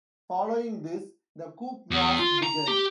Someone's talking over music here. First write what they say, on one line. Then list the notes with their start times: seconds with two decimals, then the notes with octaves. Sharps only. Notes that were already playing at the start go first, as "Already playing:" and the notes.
Following this, the coup was begun.
1.91 E2
2.19 F4
2.43 A#5
2.68 G4